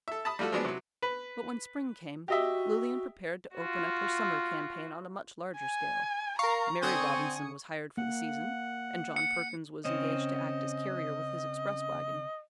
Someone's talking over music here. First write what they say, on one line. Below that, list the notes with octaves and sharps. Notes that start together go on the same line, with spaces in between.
But when spring came Lilian prepared to open up her summer campaign on a much larger scale. Mary Robinson was hired for the season, and John Perkins was engaged to act as carrier with his express wagon.
A4 E5
A5 B5 D#6
G3 A3 F4 F#4 A4
F3 F#3 G#3 B3 D4
C3 F#3
B4
F#4 G4 D#5 E5
F4 F#4
G#5
A#4 F5 A#5 C#6
D3 C4 G#5 D#6 C#7
A#3 F#5
C#7
C#3 C4 C#4 D#5